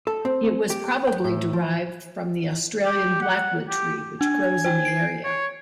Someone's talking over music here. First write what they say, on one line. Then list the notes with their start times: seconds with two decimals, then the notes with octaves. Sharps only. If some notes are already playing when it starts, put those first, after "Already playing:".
It was probably derived from the Australian Blackwood tree which grows in the area.
0.07 A4
0.25 C4
0.70 G4
1.07 G5
1.24 A2
1.53 F3
2.85 G4
3.22 F#5
3.68 G4
4.21 D4 G#5
4.64 C5 G5
4.85 C7 D7
5.24 C#5